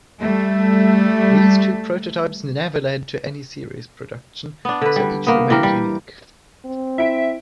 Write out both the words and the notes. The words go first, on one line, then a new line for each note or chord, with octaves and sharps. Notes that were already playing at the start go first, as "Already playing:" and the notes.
These two prototypes never led to any series production, so each remained unique.
G3 A3
B3 D4
D3 B4
G3
A#3 B3
E3 G4 A#4
G3
C4
E4 E5 D7